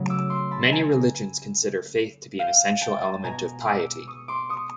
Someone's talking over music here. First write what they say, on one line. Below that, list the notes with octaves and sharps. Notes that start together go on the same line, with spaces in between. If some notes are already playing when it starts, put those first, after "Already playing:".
Many religions consider faith to be an essential element of piety.
Already playing: C#3 F#3 A3
D6 E6
C6 D6
A5 B5
G#5 A#5
F5 G5
G5 A5
B2 G#3 G#5 A#5
D6 E6
C#6 D#6
C6 D6
C#6 D#6